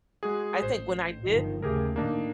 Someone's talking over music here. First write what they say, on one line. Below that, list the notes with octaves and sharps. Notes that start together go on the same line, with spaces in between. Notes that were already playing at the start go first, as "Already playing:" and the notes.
I think when I did
G#3 F#4 G#4
A1 C5
G1 D#3 F3
D#2 C#3 A3 G4 G#4 A#4
A2 D#3 A#3 D4 D#4